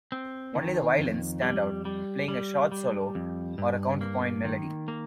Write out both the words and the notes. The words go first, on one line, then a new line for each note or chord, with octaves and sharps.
Only the violins stand out, playing a short solo or a counterpoint melody.
C4
D#3
F2
G3
G3
G3
G3
F2
G2
A#3
D#3
A#3